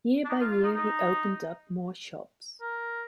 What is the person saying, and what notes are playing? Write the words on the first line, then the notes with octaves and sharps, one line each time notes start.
Year by year he opened up more shops.
D4
D#4
F4
F4
D#4
D#4
A#4